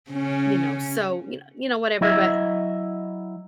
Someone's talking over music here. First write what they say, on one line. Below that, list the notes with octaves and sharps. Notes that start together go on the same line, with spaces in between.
you know, so, you kno you know, whatever, but
C#3 C#4
F#3 E4 D#5 E5